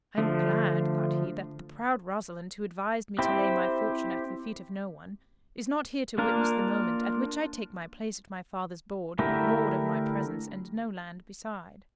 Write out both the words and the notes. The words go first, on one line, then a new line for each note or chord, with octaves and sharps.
"I am glad," thought he, "that the proud Rosalind, who advised me to lay my fortune at the feet of no one, is not here to witness the moment at which I take my place at my father's board, Lord of my presence and no land beside!"
D3 F3 A3
C4 E4 G4 C5
A#3 D4 F4 A#4
D3 A3 E4 G4 A#4